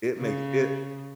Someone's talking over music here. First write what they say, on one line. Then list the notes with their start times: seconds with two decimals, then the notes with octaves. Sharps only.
it makes it
0.18 C#3